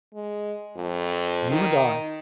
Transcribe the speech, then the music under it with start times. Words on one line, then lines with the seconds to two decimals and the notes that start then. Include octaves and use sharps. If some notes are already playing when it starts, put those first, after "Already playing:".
You and I.
0.14 G#3
0.76 F2
1.51 D#3